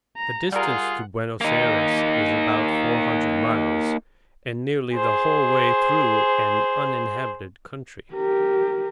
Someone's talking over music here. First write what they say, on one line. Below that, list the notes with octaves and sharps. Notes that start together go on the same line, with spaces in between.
The distance to Buenos Ayres is about four hundred miles, and nearly the whole way through an uninhabited country.
A#5
G3 F4 G#4 A#4 F#5
A#3 D#4
G#4 C5
G4 A#4